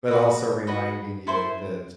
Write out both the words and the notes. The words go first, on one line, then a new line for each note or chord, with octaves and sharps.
but also reminding you that
F#4 B4 D#5
F#4 B4 D#5
E4 A4 C5 C6